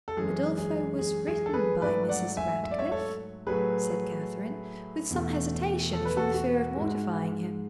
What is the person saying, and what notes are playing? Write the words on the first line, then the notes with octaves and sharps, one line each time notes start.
"Udolpho was written by Mrs. Radcliffe," said Catherine, with some hesitation, from the fear of mortifying him.
A4
F#2 E3 G#3 G#4
G#4
G#4
G#4
A4
G#4 B4
G#2 F#3 A3 B4 D5
D5 F#5
E5 G#5
E5
D5
C#5 E5
A4 C#5
A2 F#3 A3 G#4 B4
E2 B2 A3
A4
B4
F#4 A4
F#4
G#2 G#3